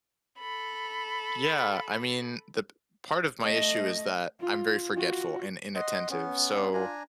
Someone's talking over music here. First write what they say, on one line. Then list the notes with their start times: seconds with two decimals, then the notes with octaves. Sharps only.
Yeah, I mean, the p part of my issue is that I'm very forgetful and inattentive. So,
0.38 A4 B5
3.43 A3 D#5
4.40 F4
4.94 F4 F#4
5.76 D#5 F#5 C6
6.10 B3 C#4
6.73 D4 F4 G#5 A#5